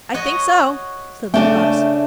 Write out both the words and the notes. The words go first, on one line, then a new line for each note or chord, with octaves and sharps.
I think so,' said Little Klaus.
F#4 C#5 D#5
C#3 A3 D4 G5